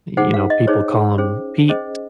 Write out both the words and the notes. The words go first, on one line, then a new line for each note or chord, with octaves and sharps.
you know, people call 'em peaks,
D#4 G#4 C5 F#5
F5
D#5
D#4 G#4 C5 C#5
C#4 G#4 C5
C#4 G#4 C5 D#5